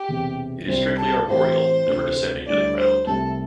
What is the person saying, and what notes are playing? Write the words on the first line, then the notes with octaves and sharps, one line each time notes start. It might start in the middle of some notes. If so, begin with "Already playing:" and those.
It is strictly arboreal, never descending to the ground.
Already playing: G4
E1 E2 C3
C2 C3 G3 C5
A4
A2 E3 C4 E4 G4 C5
D2 C3 A3 C4 A4
D2 D3 G3 E4 D5
C5
C2 C3 A3 A4